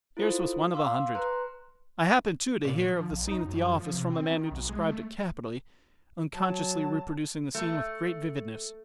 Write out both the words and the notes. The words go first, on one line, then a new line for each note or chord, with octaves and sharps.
Yours was one of a hundred. I happened, too, to hear of the scene at the office, from a man who described it capitally, unconsciously reproducing the scene with great vividness.
E4 F4 A4 C5
F5 C6 D6 E6
B4 A#5 C6 F#6
A#2
F3
A#1
D#4
F#2
F3
C3
C4
D#3
B1
G#3
A3
F#3 A5
A3